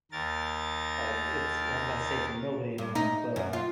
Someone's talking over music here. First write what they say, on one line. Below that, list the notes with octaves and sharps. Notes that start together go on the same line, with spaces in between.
like, it's I'm not safe from nobody anymore. But,
D#2 A#4 A6
G2
D#4
F#2
F4